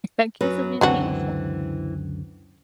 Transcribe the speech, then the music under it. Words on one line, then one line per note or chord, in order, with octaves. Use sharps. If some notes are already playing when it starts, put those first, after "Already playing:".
our kids will be beautiful.
F#2 F#3 B4
C#2 F#2 D3 E3 F#3 C4 D4 F#4